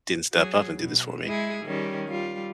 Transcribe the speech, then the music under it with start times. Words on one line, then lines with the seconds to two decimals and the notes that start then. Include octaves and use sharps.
didn't step up and do this for me.
0.33 F#3 G#4
0.75 B2
1.25 G#3 E4 G#4
1.64 D#3 G3 C#4
2.09 G3 F4